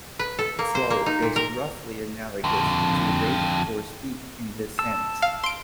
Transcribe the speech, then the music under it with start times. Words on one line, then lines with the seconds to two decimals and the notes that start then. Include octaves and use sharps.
Flow is roughly analogous to rate or speed in this sense.
0.19 B4
0.39 A4
0.59 A#3
0.75 C5
0.90 A#3
1.06 D#4
1.22 A#2
1.36 A#4
2.44 F2 D3
4.79 A5 E6
5.22 F5
5.43 C6 D7